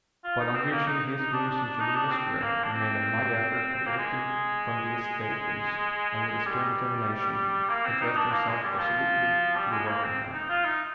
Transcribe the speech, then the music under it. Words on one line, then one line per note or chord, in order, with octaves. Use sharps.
But on reaching his rooms in Geneva Square he made a mighty effort to waken from these day dreams, and with a stern determination addressed himself resolutely to the work in hand.
F4
D#4
C4
A#3
D#4
D#4
D4
D4
D4
D#4
D4
C4
A#3
D4
C4
C4
A#3
G#3
G3
A#3
C4
D#4
D4
A#3
G#3
G3
F3
G3
G#3
A#3
C4
D#4
F4
D#4